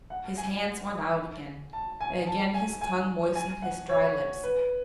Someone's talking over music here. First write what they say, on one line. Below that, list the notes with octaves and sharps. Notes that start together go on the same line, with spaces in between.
His hands went out again--again his tongue moistened his dry lips.
F#5
G#5
A5
G#5
A5
G#5
G#5
G#5
F#5
C#5
B4